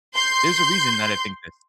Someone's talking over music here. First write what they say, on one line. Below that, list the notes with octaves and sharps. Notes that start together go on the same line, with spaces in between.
There's a reason that I think this.
C6 G6